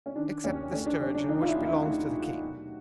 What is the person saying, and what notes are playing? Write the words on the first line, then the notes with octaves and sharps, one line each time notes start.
"Except the sturgeon, which belongs to the king."
C#4
D#3 D4
D#2 C#4
A3 C#4
D4
F#3 D4
D4
D#3 D#4
F4
E4
D#2
E4
A3 F#4
F#3
B2